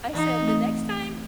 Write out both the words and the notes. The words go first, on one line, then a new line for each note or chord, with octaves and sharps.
I said, "The next time
E3 D#4
A3 C4